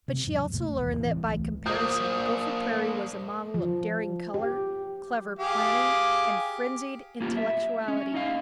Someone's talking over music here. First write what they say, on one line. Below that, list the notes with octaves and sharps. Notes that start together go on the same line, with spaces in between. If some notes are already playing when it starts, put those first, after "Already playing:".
But she also learned that by comparison Gopher Prairie was a model of daring color, clever planning, and frenzied intellectuality.
C3
E2 G#2 F#3
A1 D#2 C3 A3
E1 B1 E2
A2 E3 C4
D1 B1 E3 A3
A#3 D4 C5 D#6 G6
F3
G4
G4 G#4 F5
A#3 F4 G4
E5
C#4
D#4 D#5 F5